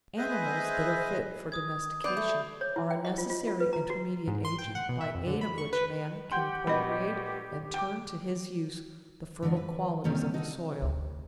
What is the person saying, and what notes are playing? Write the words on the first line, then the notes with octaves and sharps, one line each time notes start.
Animals that are fit for domestication are a necessary intermediate agent by aid of which man can appropriate and turn to his use the fertile qualities of the soil.
G#4 B4 C5 D#5 E5 G#5
D#6 G#6
B3 D5 B5 G6 C7
A3
C#5
E4
G5
D#5
F4
F4
F4
B4
A#5
F#4
G#2
C6
G5
F#5
B2
E5
F2
D3
B5
C#6
B4
G4 F#5 G5 C6 G6
A#1 B3 F#4 D#5 B5
G5 D6
D3 E3 G#3 C#4 D4
B4
C3 D#3 G3 A#3 C#4
D#4 F#4 A4
D2